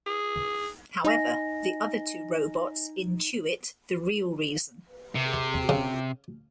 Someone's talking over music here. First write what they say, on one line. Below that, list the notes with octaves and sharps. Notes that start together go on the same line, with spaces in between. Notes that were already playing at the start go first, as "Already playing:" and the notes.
However, the other two robots intuit the real reason.
G#4
D#4 D#5 G#5 A#6
C3
C#3